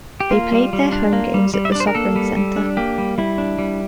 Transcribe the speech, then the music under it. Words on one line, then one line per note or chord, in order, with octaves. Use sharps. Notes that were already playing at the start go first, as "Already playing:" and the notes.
They played their home games at the Sovereign Center.
G4
A#3 F4
G3
G3
D4
A#3
G3
G3
E5
D5
D4 C5
A#4
A#3 A4
G3
G3
D4
A#3 G4
G3
G3 E4
D4
G3